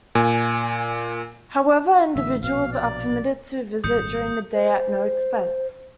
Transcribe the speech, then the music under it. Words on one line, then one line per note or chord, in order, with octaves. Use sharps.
However, individuals are permitted to visit during the day at no expense.
A#2 G#5
A1 D3 E5
A#1 B2 C4 F5
D5
G#1 A#2 G3 D#6 G6 C#7
C5